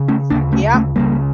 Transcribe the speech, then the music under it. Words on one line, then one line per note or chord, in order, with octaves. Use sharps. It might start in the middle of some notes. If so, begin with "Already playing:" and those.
he's like, "Yep.
Already playing: C#3
A3 C#4
D2 C#3 A#3 D4
A3 C#4
A3 C#4
C#2 C#3 G3 A#3